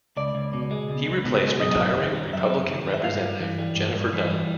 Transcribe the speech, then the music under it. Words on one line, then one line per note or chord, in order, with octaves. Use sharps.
He replaced retiring Republican representative Jennifer Dunn.
C#2 D5
C#2
B2
G#3
C#2
C#2
B2
G#3
F#2 D#5
C4
D#3
G3
F#2 E5
C4
D#3
G3
E5
G2 F5
G2
E3
G3
G2
G2
E3
G3